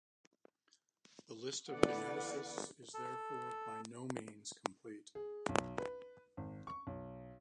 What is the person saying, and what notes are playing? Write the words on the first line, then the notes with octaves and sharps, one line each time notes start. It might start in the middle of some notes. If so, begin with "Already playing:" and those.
This list of geneticists is therefore by no means complete.
D3 E3 B3 B4 D5 F#5
A4
G#4
B1
B4
G#1
C#6
B1